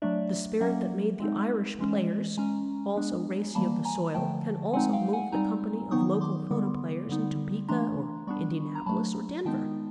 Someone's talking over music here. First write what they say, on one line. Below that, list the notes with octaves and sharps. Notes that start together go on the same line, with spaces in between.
The spirit that made the Irish Players, all so racy of the soil, can also move the company of local photoplayers in Topeka, or Indianapolis, or Denver.
F#3 A3 D4 D5 E5
F#3 A#3 C#4 E5 F#5
G#3 C4 D#4
E3 G#3 C#4
G#3 C#4 G#5 A#5
G#3 B3 D4
E3 G3 A#3 A5 B5
G#5 A#5
D3 F3 A3 G5 A5
G#3 C4 D#4 F#5 G#5
F5 G5
F#5 G#5
G3 C4 D#4 G#5 A#5
D#3 F#3 B3 D#4 C#6 D#6
C6 D6
D3 G3 B3
D3 G3 B3 D#4
E3 A3 D4 A#5 C6
G3 B3 D4 B5 C#6
A#5
F#3 A3 D4 A5 B5
D#3 G#3 B3 D#4 G5 A5